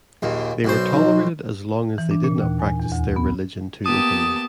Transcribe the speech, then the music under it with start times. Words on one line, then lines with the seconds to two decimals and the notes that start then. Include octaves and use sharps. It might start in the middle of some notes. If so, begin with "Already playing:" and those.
They were tolerated as long as they did not practice their religion too openly.
0.22 A#1 D#2 A#2
0.64 B1 B2 C5
0.94 D#4
1.98 E3
2.11 D4
2.24 A#2
2.41 D#2
2.60 G#5
2.80 E2
2.92 D2
3.16 B3
3.86 A#3 B3 G4 A5 D#6